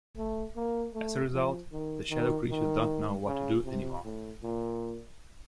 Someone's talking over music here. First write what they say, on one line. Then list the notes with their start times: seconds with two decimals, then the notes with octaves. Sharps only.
As a result, the shadow creatures don't know what to do anymore.
0.17 A3
0.56 A#3
0.94 A3
1.33 F3
1.72 D#3
2.10 D#3
2.50 D#3
3.27 C#3
3.65 C3
4.04 A2
4.43 A#2